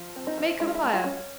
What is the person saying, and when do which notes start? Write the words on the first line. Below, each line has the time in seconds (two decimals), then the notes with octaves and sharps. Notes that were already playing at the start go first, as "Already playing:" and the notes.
Make a fire.
Already playing: F3
0.16 C4
0.27 D#4
0.38 F3
0.60 G#3 E4
0.67 F4
0.75 E4
0.82 G#3
0.93 F4
1.04 C#4